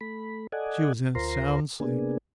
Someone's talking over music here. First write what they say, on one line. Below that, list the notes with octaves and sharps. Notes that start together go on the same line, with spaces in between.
She was in a sound sleep.
A3 B5
A4 D5 D#5 F#5 G#5
D2 F4 A#4 C5 A#5 C6
C3 A#3 B3 D4 G#4